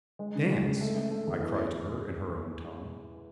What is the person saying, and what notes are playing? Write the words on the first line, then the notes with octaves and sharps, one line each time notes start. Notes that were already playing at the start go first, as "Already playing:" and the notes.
"Dance," I cried to her in her own tongue.
G#3
C#3
G#3
C#2
A3
A3
A3
E2
E3